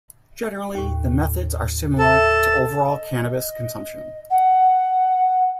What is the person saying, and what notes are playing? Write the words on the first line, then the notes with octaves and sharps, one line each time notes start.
Generally the methods are similar to overall cannabis consumption.
D#2 A2
A4 E5 A5
D#5
F#5